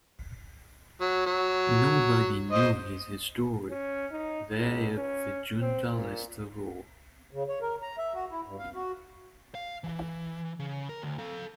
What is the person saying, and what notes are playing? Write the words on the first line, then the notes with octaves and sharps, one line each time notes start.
Nobody knew his history, they of the Junta least of all.
F#3
F#3
C5 D#5
C#4
D#4
C#2
C#4
C4
A#2
C#3
C#5
A#4
A#5
E5
F#4
E4
G2
F5
F#4
F5
E3
C#3
A#4
D2
A4 F5